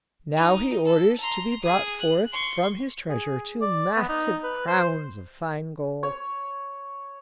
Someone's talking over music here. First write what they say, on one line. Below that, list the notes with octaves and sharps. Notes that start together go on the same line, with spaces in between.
Now he orders to be brought forth from his treasure two massive crowns of fine gold.
D#4
A4
A#5 C6
G#4 D#6
F#6
C6 C#6
G#4
D5
B3
D#4
B4
C5
C#5